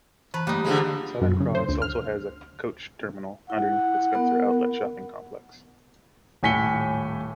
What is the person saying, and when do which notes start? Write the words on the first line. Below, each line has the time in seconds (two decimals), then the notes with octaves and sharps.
Southern Cross also has a coach terminal underneath the Spencer Outlet shopping complex.
0.34 E3 B4 A5 A#5
0.47 G3 A3 A#3 D#4
0.65 D3 F3 G#3
1.21 F#2
1.40 C#3
1.55 C5
1.69 D2
1.82 F6
3.50 E4 F#5
4.13 B3 A#4
6.43 D#1 A2 G#5 B6 C#7 G7